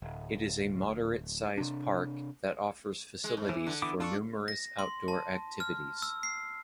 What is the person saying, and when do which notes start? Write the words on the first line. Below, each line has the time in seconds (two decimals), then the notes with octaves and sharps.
It is a moderate-size park that offers facilities for numerous outdoor activities.
0.02 D1
1.58 C3 D4
3.24 G#3
3.37 G#2
3.49 E3
3.66 D3
3.82 E3 B3 D6
4.00 D4 F4 A4 C#6
4.48 A#6
4.79 C6
5.08 A5
5.60 F6
6.02 E6
6.23 C7